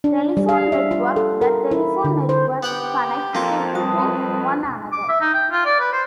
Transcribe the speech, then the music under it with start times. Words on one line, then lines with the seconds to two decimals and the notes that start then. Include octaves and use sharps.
Telephone network: the telephone network connects people to one another.
0.04 D4
0.37 G3
0.49 F5
0.72 E5
0.91 F4
1.16 A4
1.41 A#4
1.71 E4
2.04 D3
2.29 C5
2.63 B3 G4 F#5 G5
3.35 F2 A#3 F4 A#5
3.75 G3 B4 A5 D#6
4.92 D6
5.08 E5
5.21 D#4
5.34 G5
5.51 F4
5.65 D5
5.80 B4
5.93 C5